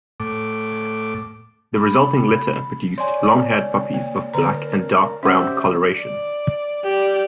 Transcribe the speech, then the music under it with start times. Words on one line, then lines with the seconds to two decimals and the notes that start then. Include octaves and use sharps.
The resulting litter produced longhaired puppies of black and dark brown coloration.
0.20 A2 D6
1.75 B5
2.98 C#5 D5 G#5 C6
3.94 A#3
4.34 D3 A#4 A#5
5.23 C#4 G4 C5 E5 F#5
5.96 D5
6.84 G4 D5